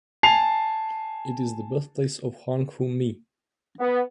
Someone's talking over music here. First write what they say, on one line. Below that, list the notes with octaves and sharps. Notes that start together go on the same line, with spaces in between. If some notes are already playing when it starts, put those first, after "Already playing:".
It is the birthplace of Huangfu Mi.
G#5 A5 C7 F7
B3